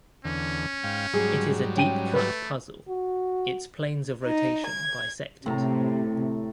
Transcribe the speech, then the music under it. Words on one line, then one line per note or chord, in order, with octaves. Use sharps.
It is a "deep-cut" puzzle; its planes of rotation bisect it.
E2 D3 C#4
G#2 F5 G5
G#2 F#3 G3 G#4
C#4 G5 D#7
A3 B4
F#4
D#4
G#6
A2 C3 A#5